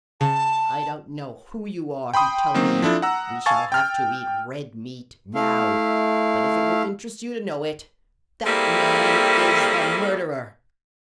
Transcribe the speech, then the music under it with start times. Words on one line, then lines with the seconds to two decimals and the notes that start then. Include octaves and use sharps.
"I don't know who you are who tell me 'We shall have to eat red meat--now'; but if it will interest you to know it--that man is the murderer!"
0.21 C#3 A5
2.14 G5 B5 C6 D#6
2.54 D#3 F#3 A#3 C4
2.82 F3 D4 E4 A4
3.02 F#5 A#5 E6
3.46 F5 G#5 A5 C#6 A6
3.72 G5 F6
5.35 A3 E4 F5
8.45 G3 A#3 C4 E4 G#4 A4